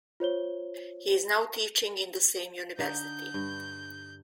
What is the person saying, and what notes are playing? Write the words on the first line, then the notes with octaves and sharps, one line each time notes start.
He is now teaching in the same university.
F4 C5 C#5 G7
D3 D#4 G6
G2